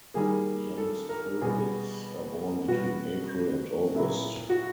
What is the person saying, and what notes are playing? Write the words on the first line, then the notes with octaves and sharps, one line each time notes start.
Young squirrels are born between April and August.
D#3 G3 A#3 G#4
A4
A#4
B2 G3 B3 G#4
B2 G3 B3 F#4
A#2 F#3 B3 E4
F#4